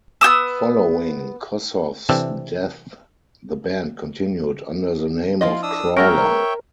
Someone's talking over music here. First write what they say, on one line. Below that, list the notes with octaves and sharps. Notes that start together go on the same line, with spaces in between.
Following Kossoff's death, the band continued under the name of Crawler.
B3 G4 D#6 E6
C3 E3 C4 D4 A4
F3 E4 F4 D#5
D4 D#6 E6
G#3 B3 C#4 A#4 C#5 E5 G5